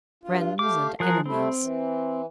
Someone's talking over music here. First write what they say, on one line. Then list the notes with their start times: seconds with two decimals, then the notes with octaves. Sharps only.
"Friends and enemies!"
0.23 G2 F4
0.59 A3 G4 F5 D6
1.00 F3 G#4 A#4 F#6
1.26 G3 A3 C4 E4
1.61 E3